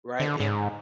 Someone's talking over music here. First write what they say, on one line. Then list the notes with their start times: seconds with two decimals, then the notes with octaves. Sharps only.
right? And
0.20 D3
0.40 G#2